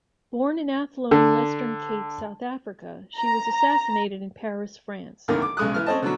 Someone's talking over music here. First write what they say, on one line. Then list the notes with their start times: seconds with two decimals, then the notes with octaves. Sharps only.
Born in Athlone, Western Cape, South Africa, she was assassinated in Paris, France.
1.11 D3
3.18 A#5
3.53 A#5
5.28 C2 F#2 D3 D#3 A#3
5.42 D6
5.57 B1 C#3 G#3 D#6 F#6
5.74 E3 F6
5.86 C4 C#4 C5 D#5 A5
6.02 B2 D3 F#3